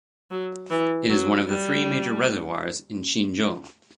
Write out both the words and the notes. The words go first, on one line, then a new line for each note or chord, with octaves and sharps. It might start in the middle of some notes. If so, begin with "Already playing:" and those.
It is one of the three major reservoirs in Xinzhou.
F#3
E3
F#3
G3